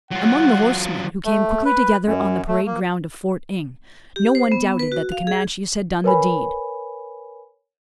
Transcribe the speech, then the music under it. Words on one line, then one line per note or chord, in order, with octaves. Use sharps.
Among the horsemen, who came quickly together on the parade ground of Port Inge, no one doubted that the Comanches had done the deed.
F#3 F4 F#5
A3
B4
F#2
A3
A#3
G4
C5
B3
B4
F#4
F5
G#4
A#4 B4 C#5 G#5 B5